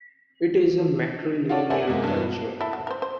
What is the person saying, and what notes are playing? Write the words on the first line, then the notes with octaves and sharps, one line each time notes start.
It is a matrilineal culture.
F4 F#4 A4 C#5 D5
A#4 C5 D5 E5 F#5 G#5
E2 C3 G#3 A#3
G2 E3
E4 A4
F#3
A#4 C5
C5